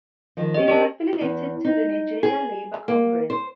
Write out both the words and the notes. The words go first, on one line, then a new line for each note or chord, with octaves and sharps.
It is affiliated to the Nigeria Labour Congress.
D#3 F3 G#3
C#4 D4 G4 D#5
D4 G4 A#4 D5 A5
E2
D#4
G#4
A#3
C5